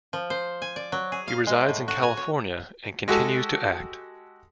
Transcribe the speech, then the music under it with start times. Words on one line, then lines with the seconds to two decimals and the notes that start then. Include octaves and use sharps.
He resides in California and continues to act.
0.13 F3
0.30 C5
0.62 G#5
0.76 D5
0.92 F#3
1.12 G#4
1.28 F5
1.47 G#3
1.69 A2
1.88 F#4
2.03 G#5
2.17 C#5
3.08 G#3 F#4 G4 A4